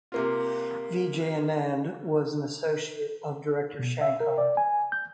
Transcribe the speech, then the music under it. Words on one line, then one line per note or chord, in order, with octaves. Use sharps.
Vijay Anand was an Associate of Director Shankar.
C3 A#3 F4
B2
E5
A#4
D5
G#5
G6